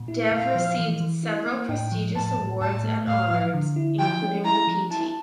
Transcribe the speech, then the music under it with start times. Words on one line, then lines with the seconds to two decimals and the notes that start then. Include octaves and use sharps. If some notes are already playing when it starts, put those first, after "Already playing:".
Dev received several prestigious awards and honors including the Pt.
Already playing: A#2
0.08 E4
0.31 A#2 F5
0.55 F3
0.78 E3
1.00 E3
1.23 E4
1.46 A#3
1.69 A2 G5
1.92 F3
2.16 A2 A5
2.38 A2
2.61 A2 A5
2.84 A3
3.07 A2 F5
3.30 F3
3.53 D3
3.76 E4
3.99 F3 G5
4.22 C#4
4.45 E4 A#5
4.67 F3
4.91 E4 A5